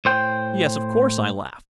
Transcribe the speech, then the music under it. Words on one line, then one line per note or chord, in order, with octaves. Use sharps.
"Yes, of course," I laughed.
A2 C5 G5